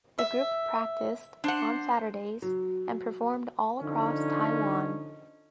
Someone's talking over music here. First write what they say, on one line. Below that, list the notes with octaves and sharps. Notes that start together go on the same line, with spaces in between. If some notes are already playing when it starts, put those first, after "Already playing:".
The group practiced on Saturdays and performed all across Taiwan.
E5
D4 C5 F#5
F#3
D3 F3 C#4 D#4